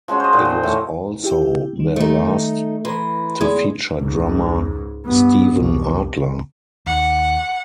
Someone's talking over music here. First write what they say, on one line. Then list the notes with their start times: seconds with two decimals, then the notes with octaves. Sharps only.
It was also their last to feature drummer Steven Adler.
0.08 F3 G#3 C#4 F#4
0.20 C5 D#5
0.33 A#2 D#3
0.45 F3
0.63 A2 C#6
1.24 E4 G4 G5
1.76 D#3 G3
1.96 A3 D#4
2.85 E3 B4 A#5 C6
3.41 E2 G#3 G#6
4.00 C#2 G#2
5.05 G2 B3
5.56 C2
6.86 D#2 F#5